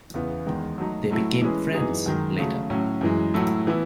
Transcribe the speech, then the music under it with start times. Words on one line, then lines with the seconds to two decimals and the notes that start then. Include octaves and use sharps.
They became friends later.
0.14 E2 C#3 E3 B3
0.46 E2 D#3 G#3
0.78 F#3 A3 D#4
1.10 A2 F#3 A3 E4
1.41 E3 G#3 C#4 G#4 B4
1.74 F#2 E3 B3 D#4 G#4
2.06 F#2 D#3 G#3
2.38 C#3 F#3 A3
2.70 A2 F#3 C#4
3.01 F#2 E3 G#3
3.34 A2 F#3 A3 E4
3.67 E3 B3 E4